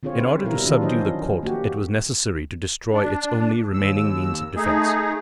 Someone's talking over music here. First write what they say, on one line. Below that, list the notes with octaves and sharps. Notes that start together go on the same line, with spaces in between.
In order to subdue the court, it was necessary to destroy its only remaining means of defence.
D3 C4 F4 G#4 C#5
B4 F5
B2 G3 E4 A#4
D#3 E3 D4 F4
F3 F#3 C#4 C5 D#5
A#3 F#4 G4
D4
D#2 E6
A3 D#4 G#4